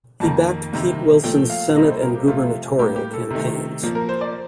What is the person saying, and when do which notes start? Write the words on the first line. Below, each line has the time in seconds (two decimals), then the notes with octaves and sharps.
He backed Pete Wilson's Senate and gubernatorial campaigns.
0.20 F2 D#3 A#3 A5
0.73 C3 D#3 G3 A#3
1.24 A#2 F3 A3 G5
1.50 F5
1.75 C3 G3 A#3 D#5
1.89 C5
2.02 A#4
2.15 G4
2.27 C3 F3 A3 F4
2.79 A2 G3 A#3 G4
2.96 G4
3.14 A4
3.31 C3 D#3 A3
3.82 A#2 F3 A#3
3.95 A#4
4.09 C5
4.21 D5